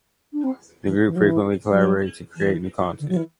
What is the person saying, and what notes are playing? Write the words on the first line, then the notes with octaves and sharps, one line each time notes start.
The group frequently collaborate to create new content.
D4
C4
E3
E3
F#3
E3
F#3
E3
D3
F#3
E3